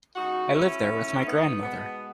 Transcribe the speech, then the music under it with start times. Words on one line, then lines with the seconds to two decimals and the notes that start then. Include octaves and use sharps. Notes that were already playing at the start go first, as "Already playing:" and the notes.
I live there with my grandmother.
0.16 C#3 G#3 D#4 F#4
0.52 C#4 E4
0.90 F#2 D#3 A3
1.26 B3 D#4
1.63 B2 G#3 B3